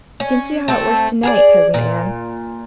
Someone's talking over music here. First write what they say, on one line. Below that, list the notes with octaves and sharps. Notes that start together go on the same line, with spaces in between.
"You can see how it works to-night, Cousin Ann!"
C#4
A3 C4 A4
G#4 A#4 D5
A#2